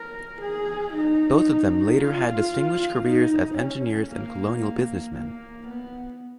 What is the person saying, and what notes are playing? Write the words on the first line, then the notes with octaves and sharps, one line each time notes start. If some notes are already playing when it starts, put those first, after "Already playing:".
Both of them later had distinguished careers as engineers and colonial businessmen.
Already playing: A#4
G#4
D#4
F4
D#4
C#4
A#3
A#3
B3